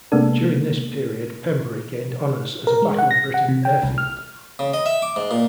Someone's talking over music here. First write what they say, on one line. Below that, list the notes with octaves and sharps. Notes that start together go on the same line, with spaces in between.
During this period Pembrey gained honours as a Battle of Britain Airfield.
C3 G#3 A#3 B3 D4 A4
A#4
G#3
F#5
A#6
F#5
C3
G5
C2
F6
C#3
D#5
E5
D6
G#2
A#2